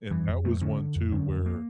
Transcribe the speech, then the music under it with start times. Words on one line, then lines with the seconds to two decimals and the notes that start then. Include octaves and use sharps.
And that was one too where
0.10 F2 E3
0.28 F2
0.45 F2 A3
0.61 D3 C#4
0.78 D3
0.96 F2
1.12 D3 C#4
1.29 F2
1.46 A#3